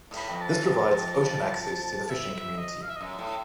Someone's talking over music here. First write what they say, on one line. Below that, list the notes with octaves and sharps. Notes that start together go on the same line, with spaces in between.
This provides ocean access to the fishing community.
A2
B5
F2
A5
E3
F2 A5
F#2
F2
E5
E5
D#5
F5
E5
D#5
F#2 E5
A2